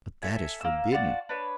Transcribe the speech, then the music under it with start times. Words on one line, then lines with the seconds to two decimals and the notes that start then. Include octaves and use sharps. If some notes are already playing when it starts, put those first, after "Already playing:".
But that is forbidden!
0.23 A4 E5 G#5
0.61 A#3 E6
0.92 F4 F#4 D5 A5
1.29 D4 B4 C#5